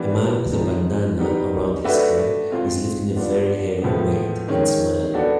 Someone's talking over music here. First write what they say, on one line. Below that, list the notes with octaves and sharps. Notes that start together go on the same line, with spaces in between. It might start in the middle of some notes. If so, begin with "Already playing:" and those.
A man with a bandanna around his head is lifting a very heavy weight and smiling.
Already playing: E3 G3 B3 D4
F3 G#3 C4 D#4
G3 B3 D#4
A3 D4 F#4 B4 E5
G#3 C4 F4 G#4 C5
B3 D4 F4
A2 F3 G#3 B3
D#3 G#3 C#4
B3 D4 F#4 A4 D5